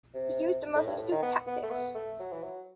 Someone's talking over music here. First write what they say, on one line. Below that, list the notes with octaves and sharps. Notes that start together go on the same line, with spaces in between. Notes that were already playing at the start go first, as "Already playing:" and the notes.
He used the most astute tactics.
C3
A2
G2
A2
D#3
B3
B3
A3
B3
A3
F#3
E3
F#3